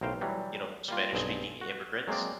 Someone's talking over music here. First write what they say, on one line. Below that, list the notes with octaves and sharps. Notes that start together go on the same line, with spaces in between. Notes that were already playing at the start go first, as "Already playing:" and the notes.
you know, Spanish-speaking immigrants,
B1 A2 A#4 C5 F5 G5
E3 F#3 G3
G3 A#3 F4
B1 G2 C4 G#4 D#5
F#4
F#3 G#3 A#3 C4 D5